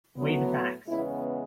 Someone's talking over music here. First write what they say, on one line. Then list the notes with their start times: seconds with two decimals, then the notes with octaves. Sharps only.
Weigh the facts.
0.16 A2 F#3 B3
0.87 E2 C#3 G#3 B3 E4